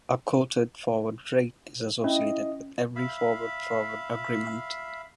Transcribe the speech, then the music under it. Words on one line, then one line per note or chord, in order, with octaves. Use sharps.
A quoted forward rate is associated with every forward-forward agreement.
C#4 E4 D#5
E5 F5 B5